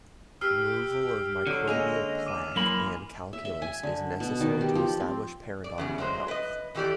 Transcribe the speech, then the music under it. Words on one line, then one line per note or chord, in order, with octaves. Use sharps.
Removal of microbial plaque and calculus is necessary to establish periodontal health.
G4 B4 E6 F6 C7
D3 F#3
G#3 A#3 C#4 D#5 D#7 F7
D6 D#7
F#2 E3 A#3 G#5 B5 C6
E5
E5
G#5
D3
B2
D#3
G4
F3
C4
D5
E2 C#3 G3
G2 F#3 G#3 C5
B4 D#5
D#3 E3 G3 G4 A4 D5